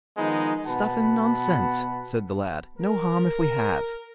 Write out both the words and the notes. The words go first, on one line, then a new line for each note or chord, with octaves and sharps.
'Stuff and nonsense!' said the lad; 'no harm if we have.'
D#3 F3 G#3 B3 D#4
B2 B3 F#5 A5 B5
A#4